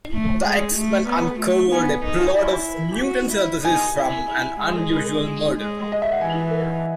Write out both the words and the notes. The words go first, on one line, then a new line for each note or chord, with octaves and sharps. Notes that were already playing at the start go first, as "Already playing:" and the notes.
The X-Men uncovered a plot of mutant synthesis from an unusual murder.
A3
G#3
A3
B3
A3
B3 G#5
D#4
E4
F#4
E4
D#4 G#5
E4
E4
G#3
G#3
D#5
E5
F#5
E3 G#5